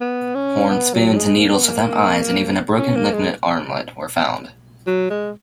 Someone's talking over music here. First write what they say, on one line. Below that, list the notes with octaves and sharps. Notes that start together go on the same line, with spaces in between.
Horn spoons and needles without eyes and even a broken lignite armlet were found.
B3
C#4
B3
F#3
G#3
A#3
B3
A#3
C#4
A#3
G#3
F#3
G#3